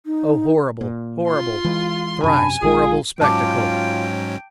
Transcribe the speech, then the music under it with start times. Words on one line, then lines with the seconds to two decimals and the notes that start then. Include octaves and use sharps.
Oh, horrible, horrible, thrice horrible spectacle!
0.06 D#4
0.81 A#2
1.29 F4 C6
1.64 E3 G#3
2.24 F#2 C3 D4 G#5 A5 B5
2.62 A#1 D#3 G#3 F4 G#4 F5
3.21 G#2 F#3 C#4 F4 G5 A5 D6